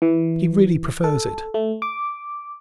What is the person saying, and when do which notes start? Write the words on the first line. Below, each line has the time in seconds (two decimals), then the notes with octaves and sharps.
He really prefers it.
0.02 E3
1.04 A4
1.54 A3
1.82 D6